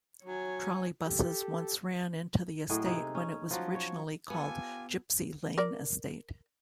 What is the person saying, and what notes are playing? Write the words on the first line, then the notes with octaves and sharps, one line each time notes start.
Trolleybuses once ran into the estate when it was originally called Gypsy Lane Estate.
F#3 C#5 G#5
G4 A4
A2 F#3 G#4 D#5
C3 D#4 G#4
C#4
F3 F#3
C#5
B3 F4 G4 A4 G#5
A#4 D5